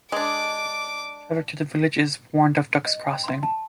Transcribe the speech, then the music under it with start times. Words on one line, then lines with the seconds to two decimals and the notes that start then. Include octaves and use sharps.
Traffic through the village is warned of "ducks crossing".
0.12 G#3 D4 D6
2.86 D#5
3.05 G5
3.24 C6
3.43 A5